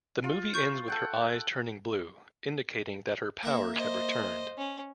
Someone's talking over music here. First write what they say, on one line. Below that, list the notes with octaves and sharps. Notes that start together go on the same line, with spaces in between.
The movie ends with her eyes turning blue, indicating that her powers have returned.
F4
C#6 G6
A4 F#5 G5
A#3 E5
C5 D#5
C#4